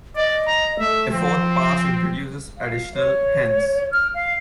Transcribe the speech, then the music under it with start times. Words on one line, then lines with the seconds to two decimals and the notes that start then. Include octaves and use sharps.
A fourth pass introduces additional hens.
0.16 D5 D#5
0.47 A#5
0.79 A3 E5
1.12 F3 C4
2.58 F5
2.95 C#5
3.91 F6
4.14 F5